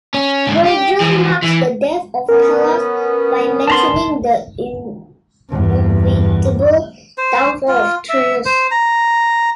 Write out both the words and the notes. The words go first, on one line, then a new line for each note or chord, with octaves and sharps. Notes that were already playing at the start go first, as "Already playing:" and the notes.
Virgil marks the death of Pallas by mentioning the inevitable downfall of Turnus.
C#4
G#2 D3
G4
E3 F3
E3
B3 C#4 A#4
A5 A#5 C6
E2 G2
C5
F4
E5
C5
A#5